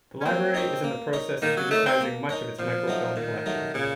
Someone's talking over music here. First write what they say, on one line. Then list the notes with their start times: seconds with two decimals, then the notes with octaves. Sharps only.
The library is in the process of digitizing much of its microfilm collection.
0.21 C#4
0.25 A#3 C4
0.54 D#4 A#4 C#5
0.84 A#3
1.13 D#4 A#4 C#5
1.42 D#3 A#3
1.57 F#3
1.71 A3 D#4 A#4 C#5
1.86 C4
2.01 A#3
2.29 D#4 A#4 C#5
2.59 A#2 F3
2.88 F#3 A3 D#4
3.16 A#2 D#3
3.46 F#3 A3 D#4
3.74 A#2 C#3